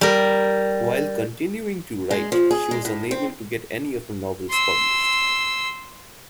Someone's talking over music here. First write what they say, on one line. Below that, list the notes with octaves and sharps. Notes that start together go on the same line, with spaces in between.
While continuing to write, she was unable to get any of her novels published.
G3 A#4
G#3
F3
G#4
G#3
A2
C4
C6 E6